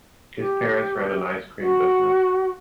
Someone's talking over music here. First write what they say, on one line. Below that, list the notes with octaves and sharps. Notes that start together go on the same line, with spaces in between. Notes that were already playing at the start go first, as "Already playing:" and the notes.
His parents ran an ice cream business.
G4
F#4